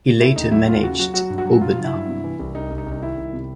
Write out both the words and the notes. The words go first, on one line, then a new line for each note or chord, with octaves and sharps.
He later managed Aubenas.
A3 E4
D#2 D#4
F#3 E4
D#2 F4
C#3 F#4
F#3 F#4
F#3 F#4
G2
F#4
F#3
G2 F4
F#3
E4
G2
C3
E3
C2
C2 D#4
C2
D#4
C2
D#4
D#3 E4
C2
C3